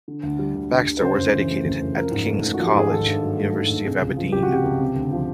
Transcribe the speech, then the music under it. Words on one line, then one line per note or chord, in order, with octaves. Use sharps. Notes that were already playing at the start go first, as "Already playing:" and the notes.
Baxter was educated at King's College, University of Aberdeen.
D3
D2
G3
D2
D3
D2
B4
C#3 C5
F#2
E3
A3
C#3
F#2
F3 A#4
G#2
A3
G#2
F#4
F3
G4
G#2 G#4
D#3 A4
G2
F#3
A3
D#3
G2
C3 G#4
C#2
F3
C#2 G4
F#4
C3 G4
C#2
C3
D2
F3